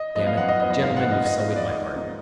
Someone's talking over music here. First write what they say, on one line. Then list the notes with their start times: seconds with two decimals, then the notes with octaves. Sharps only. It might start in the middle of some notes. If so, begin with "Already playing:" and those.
Damn it!... Gentlemen, you've sullied my heart!
Already playing: D#5
0.15 F3 B3 D#5
0.26 F5
0.37 F#2 F#5
0.49 D#5
0.60 F3 B3 D#5
0.70 D#5
0.82 G#2 F5
0.97 F#5
1.04 F3 B3
1.11 D#5
1.26 G#2 D#5
1.40 D#5
1.48 F3 B3
1.56 D5
1.70 G#2 D#5
1.92 F3 A#3